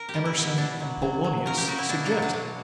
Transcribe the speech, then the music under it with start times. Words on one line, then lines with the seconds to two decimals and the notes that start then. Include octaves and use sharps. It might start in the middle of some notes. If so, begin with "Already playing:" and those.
Emerson and Polonius suggest.
Already playing: A#4
0.09 G4
0.14 G3
0.25 E4
0.36 B2
0.41 E4
0.58 B2 D4
0.80 F#3
1.02 F#3
1.24 F#3
1.46 C#3 A#4
1.57 G4
1.67 C#3 F#4
1.78 E4
1.89 B2 D4
2.06 D4
2.12 F#3
2.22 D4
2.33 B2